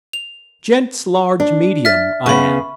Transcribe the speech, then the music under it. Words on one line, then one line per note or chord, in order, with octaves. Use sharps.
"Gents' large medium, I am."
F7
D4
E5 F6 A6
C#3 B3 B5 C#6